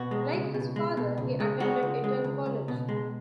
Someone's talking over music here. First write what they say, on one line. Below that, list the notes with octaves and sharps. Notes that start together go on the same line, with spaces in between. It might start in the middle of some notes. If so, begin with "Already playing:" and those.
Like his father he attended Eton College.
Already playing: B2 F#4
G#3
C#2
B2
G#3
B2
C#2
G#3
G#3 F#4
C#2
G#3
C#2
C#2
B2
G#3